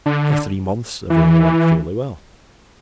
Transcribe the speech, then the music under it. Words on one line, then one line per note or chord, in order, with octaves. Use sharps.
For three months everything went fairly well.
D3
E3